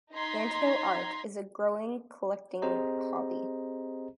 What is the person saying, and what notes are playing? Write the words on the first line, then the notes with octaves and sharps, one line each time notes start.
Ant hill art is a growing collecting hobby.
D#4 A#5 C6 G#6 B6
C4 G4 G#4 C5 D#5 A#5